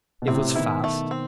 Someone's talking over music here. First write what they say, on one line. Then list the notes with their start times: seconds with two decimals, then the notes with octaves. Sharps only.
It was fast.
0.22 B2
0.28 A2 C3 C4
0.55 B2 D#3 E4
0.84 A3
1.11 C4